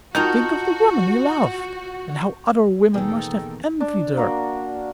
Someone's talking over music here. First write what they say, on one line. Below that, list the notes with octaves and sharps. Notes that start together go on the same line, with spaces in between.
Think of the woman he loved, and how other women must have envied her!
D#3 D#4 F4 F#4 A#4 A5 A#5 G6
E2 B2 D#3 A#3 D#4 G#4 A4 G5
D4
A#3 F#4